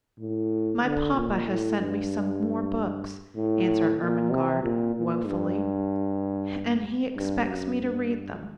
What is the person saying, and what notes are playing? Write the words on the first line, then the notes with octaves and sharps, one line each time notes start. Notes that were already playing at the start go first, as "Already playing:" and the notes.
"My papa has sent me some more books," answered Ermengarde woefully, "and he expects me to read them."
A2
D3
A#2
A2
G2
A2
A#2
C3
A#2
A#2
G2
G2
F#2
G2